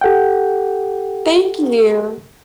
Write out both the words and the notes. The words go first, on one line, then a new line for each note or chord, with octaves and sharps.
Thank you.
G4 A4 F#5 G5